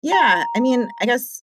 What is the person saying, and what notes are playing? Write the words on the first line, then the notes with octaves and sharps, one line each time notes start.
yeah, I mean, I guess
A#5